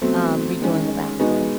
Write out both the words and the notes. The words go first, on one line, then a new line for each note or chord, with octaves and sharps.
um, redoing the bathroom
B2 F#3 A3 C4
D#3 G#3 C#4
B2 G#3 B3 D#4 F#4